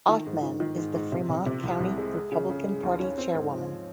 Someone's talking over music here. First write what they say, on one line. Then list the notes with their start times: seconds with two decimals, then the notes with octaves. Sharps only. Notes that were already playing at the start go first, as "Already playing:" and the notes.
Ottman is the Fremont County Republican Party chairwoman.
0.09 D#3
0.26 G#2
0.43 D#3
0.60 D#3
0.78 G#2
0.94 G#2
1.12 C3
1.29 C3
1.46 C3
1.63 C2
1.80 C2
1.98 G#3
2.14 G#3
2.32 C#3
2.49 C#3
2.66 G#3
2.83 D#2
3.00 C#4
3.18 C4
3.34 G#2
3.51 F3